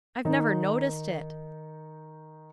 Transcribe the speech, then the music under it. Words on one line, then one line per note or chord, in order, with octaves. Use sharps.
"I've never noticed it."
D#3 D#4